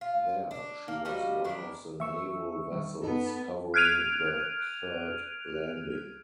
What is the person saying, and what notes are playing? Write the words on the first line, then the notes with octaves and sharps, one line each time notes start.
There she was one of the naval vessels covering the third landing.
F4
D4
A#3
F3 G3 F#4 D#5
D#3 D4 E4
E3 E5 C#6 E6
D#3 G3
F#2 B3 D#4 A4
F6 F#6 G#6 D7 D#7 F7